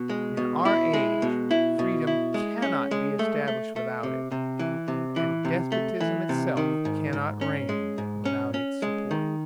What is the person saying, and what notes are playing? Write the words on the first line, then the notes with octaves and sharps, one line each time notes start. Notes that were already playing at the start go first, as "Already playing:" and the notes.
In our age, freedom cannot be established without it, and despotism itself cannot reign without its support.
Already playing: B2
G#3
B2
E4
G#3
B2
E4
B2
E4
G#3
C#4
G#3
A3
A3
A3
C3
C3
E3
C3
E3
C3
A3
E3
C3
D#3
G#2
G#2
C#4
G#3
G#2
C#4
C#4
G#3
D#3